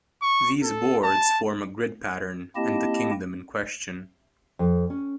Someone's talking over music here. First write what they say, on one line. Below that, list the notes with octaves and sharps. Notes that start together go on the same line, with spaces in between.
These boards form a grid pattern, and the kingdom in question.
C#6
A4
A5
A#3 C4 E4 G4 D#5 A5
F2
C#4